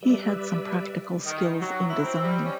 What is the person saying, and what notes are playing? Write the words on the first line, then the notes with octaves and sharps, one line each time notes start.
He had some practical skills in design.
G3 B4 D5 E5
D#3
F#3
E4
C4
G3
C#4